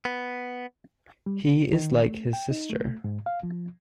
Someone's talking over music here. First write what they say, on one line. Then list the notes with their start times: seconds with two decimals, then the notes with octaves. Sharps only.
He is like his sister.
0.05 B3
1.26 G3
1.44 C#3
1.73 D#3
2.02 A3
2.33 G5
2.51 D#4
2.70 A3
3.04 G#2
3.26 F5
3.43 F3